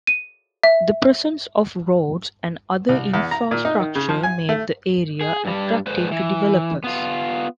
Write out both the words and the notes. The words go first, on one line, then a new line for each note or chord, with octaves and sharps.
The presence of roads and other infrastructure made the area attractive to developers.
D#7
E5
C2
E2
A#5
A#2
D#4
D#3
C#3
F3
G#5
A3
G#4
G2 G3
G#2 B4 C5
E3
B3 F4